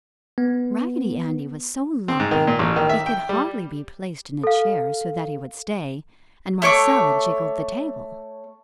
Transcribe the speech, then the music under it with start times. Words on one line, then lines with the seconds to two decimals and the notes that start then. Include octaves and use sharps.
Raggedy Andy was so loppy he could hardly be placed in a chair so that he would stay, and Marcella jiggled the table.
0.38 B3
2.08 C4
2.20 G#2
2.31 D#3
2.47 A#2
2.59 A1
2.76 D#3
2.89 E5
3.06 G5
3.29 G3
4.44 A4 F5
6.62 A3 C#5 C#6 D6